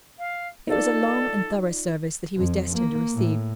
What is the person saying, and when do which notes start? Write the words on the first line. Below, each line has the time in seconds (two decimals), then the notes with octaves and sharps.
It was a long and thorough service that he was destined to receive.
0.18 F5
0.67 D#4 F4 A4 D5
2.37 F2
2.75 A#3
3.14 A2